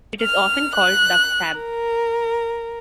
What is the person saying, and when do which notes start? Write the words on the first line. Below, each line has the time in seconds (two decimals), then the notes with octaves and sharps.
It is often called Duck Stab!
0.21 F6
0.74 F#6
1.57 A#4